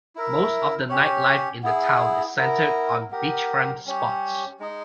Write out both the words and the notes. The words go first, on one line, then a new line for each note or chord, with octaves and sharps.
Most of the nightlife in the town is centred on beachfront spots.
E4 A#4 E5
C#4 G4 C#5
B3 E4 G#4
B3 E4 A#4
B3 G4 A#4
G3 C#4 G4 C#5
G#3 D#4 G#4